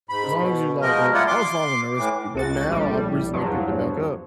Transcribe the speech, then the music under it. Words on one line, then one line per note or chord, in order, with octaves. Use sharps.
as long as you like, oh I was following a recipe, but now I've recently picked it back up
G#2 B5
B2
B2 F3 G#3 A#4 D#5
G3 A#3 E4 F4 D5 F#5
C6 D6
A2 E3 D6
C#2 F#4 A6
A#1 A2 G3
E2 G2 F3 F#3